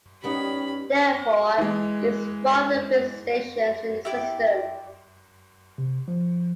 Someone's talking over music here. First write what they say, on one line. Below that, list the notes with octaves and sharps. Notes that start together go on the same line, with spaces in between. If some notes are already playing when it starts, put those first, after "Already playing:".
Therefore, it is one of the busiest stations in the system.
G3 B3 C#4 D#4 G4 B5
E3 G#3
E4 G4 D5
C3
F3